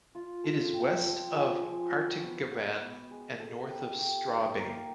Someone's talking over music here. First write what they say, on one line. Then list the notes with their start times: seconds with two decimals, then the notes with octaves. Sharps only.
It is west of Artigarvan and north of Strabane.
0.15 F4
0.44 A4
0.74 C4
1.04 F3
1.33 G#3
1.63 F3
1.91 F#4
2.22 B3
2.51 F#4
2.81 B3
3.11 G#3
3.40 A4
3.69 G4
3.99 G4
4.28 D#4
4.58 A#3